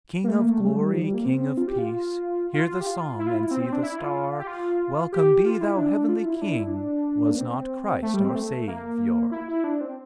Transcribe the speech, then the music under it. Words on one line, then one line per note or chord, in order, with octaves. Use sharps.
"King of glory, king of peace!" "Hear the song, and see the Star!" "Welcome be thou, heavenly King!" "Was not Christ our Saviour?"
A#3
A3
A#3
A3
G3
A3
G3
F3
G3
A#3
C4
F4
G4
F4
F4
G4
F4
E4
F4
E4
C4
C4
D4
E4
F4
G4
F4
G4
F4
E4
D4
F4
E4
D4
E4
D4
A#3
C4
A3
G3
C4
A3
A#3
E4
E4
D4
C4